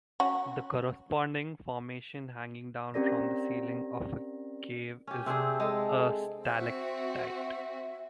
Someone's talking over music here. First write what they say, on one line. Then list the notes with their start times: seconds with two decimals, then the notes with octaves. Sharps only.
The corresponding formation hanging down from the ceiling of a cave is a stalactite.
0.20 C#4 F#4
2.94 C4 C#4 G4 A#4 D5 A#6
5.07 C#4 G4
5.26 C3 C4 D4 G#4
5.60 G#3 A4
6.45 C4 F#4 E5